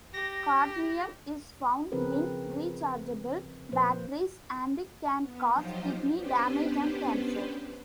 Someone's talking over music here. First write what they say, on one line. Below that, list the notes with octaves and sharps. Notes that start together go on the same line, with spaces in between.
Cadmium is found in rechargeable batteries and can cause kidney damage and cancer.
G4 A#6
C#3 F3 C4 G#4 A#4 B4
A#2 F3 A#3 B4 C5
B3
F3 F#3 D#4 F4 G4 C5
B3 C#4 D4 G4 B4 C5